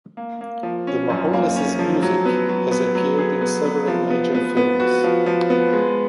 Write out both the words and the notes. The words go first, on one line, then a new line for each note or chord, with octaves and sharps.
The Mahones' music has appeared in several major films.
A#3
A#3
F3
C#4
F#2
A#3
C#4
F3
F#3
B3
F#3
B3
F#3
G#4
B3
B3
F3
B3
B3
B3
F#4
F3
F3
B3
G#3